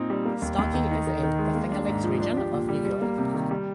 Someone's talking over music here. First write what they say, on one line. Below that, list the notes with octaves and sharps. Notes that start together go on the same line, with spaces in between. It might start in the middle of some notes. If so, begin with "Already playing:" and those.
Starkey is in the Finger Lakes Region of New York.
Already playing: A#2 C4 D#4
G3
A#3
D#2
D#2
D#3
D#4
D#3
D#3
G#3
A#3
D4
G#2
F3
D4
G4
A#2
G3
G3
A#3
C3
D#3
G3